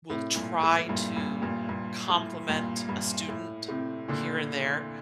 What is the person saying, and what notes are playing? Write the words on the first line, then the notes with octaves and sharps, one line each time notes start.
will try to compliment a student here and there,
A2 C3
G2 A#2
A2
G2 A#2
G2 A#2
G2 A#2
G2 A#2
A2
G2 A#2
G2
A2
A2 C3
A#2 D3